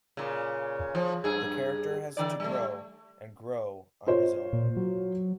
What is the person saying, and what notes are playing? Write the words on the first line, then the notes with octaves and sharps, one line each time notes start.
The character has to grow and grow on his own.
A#2 C#3
F3
G2 G#4
D3 E3 D5
G3 A3
F4 C5 C#5
A#2
F#3